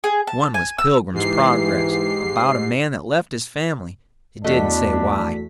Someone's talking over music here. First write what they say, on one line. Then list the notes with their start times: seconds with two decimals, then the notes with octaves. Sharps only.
One was Pilgrim's Progress, about a man that left his family, it didn't say why.
0.04 G#4
0.27 A5
0.54 G#5
0.78 E6
1.14 G#2 E3 G4 C7
4.44 E2 A3 D4 F#4 D#5 B6